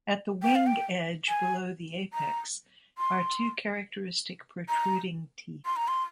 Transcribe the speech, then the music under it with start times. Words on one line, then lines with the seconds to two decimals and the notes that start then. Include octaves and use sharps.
At the wing edge below the apex are two characteristic, protruding teeth.
0.43 G5
0.55 F5
0.67 G5
1.28 G#5
2.13 A#5
2.98 C6
4.69 A#5
5.66 C6
5.76 A#5
5.88 C6